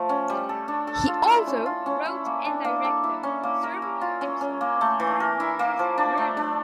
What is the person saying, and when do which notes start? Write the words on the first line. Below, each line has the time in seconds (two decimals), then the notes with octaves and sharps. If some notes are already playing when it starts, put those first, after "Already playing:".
He also wrote and directed several episodes of "Diagnosis: Murder".
Already playing: F3 A3
0.09 C#4
0.30 G3
0.49 A4
0.68 D4
0.87 A4
1.08 F4
1.27 E4
1.47 C#4
1.66 F4
1.86 C#4
2.06 E4
2.26 A#3
2.45 D4
2.65 A#3
2.85 A4
3.04 E4
3.23 C#4
3.43 A#3
3.63 A#4
3.82 E4
4.01 F4
4.21 C#4
4.41 C#4
4.61 A#3
4.81 A3
5.00 E3
5.20 A#4
5.40 E4
5.59 A#3
5.79 F3
5.98 D4
6.18 A3
6.37 D4